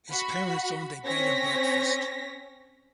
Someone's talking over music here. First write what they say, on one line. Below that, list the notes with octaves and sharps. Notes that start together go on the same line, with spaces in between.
His parents owned a bed-and-breakfast.
F#4 B5
C4 C#4 C#5 A#6 B6